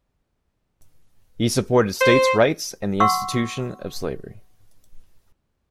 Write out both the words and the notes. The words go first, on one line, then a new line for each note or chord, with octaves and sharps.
He supported states' rights and the institution of slavery.
C5
F#5 C6 C#6 E6